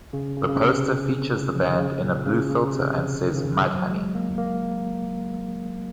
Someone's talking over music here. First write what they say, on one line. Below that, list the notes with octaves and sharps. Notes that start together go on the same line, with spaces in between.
The poster features the band in a blue filter and says Mudhoney.
C#3
C#3
C#3
C3
F3
D#3
C#3
A#2
C#3
C#3
C3
D#3
C#3
F#3
F#3
G#3
A#3
A#3